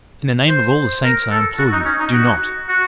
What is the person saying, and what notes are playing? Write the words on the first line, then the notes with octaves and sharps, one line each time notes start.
"In the name of all the saints, I implore you, do not."
C5
A#4
A4
F#4
D#4
C#4
D#4
F#4
F#4